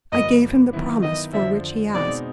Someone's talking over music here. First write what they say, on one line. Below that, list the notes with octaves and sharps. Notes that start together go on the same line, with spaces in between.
I gave him the promise for which he asked.
G2 D3 F3 A#3 D#5
D#3 F#3 B3 E4
D#5
F2 D3 F3 E5
B2 G#3 C4 D#4 D5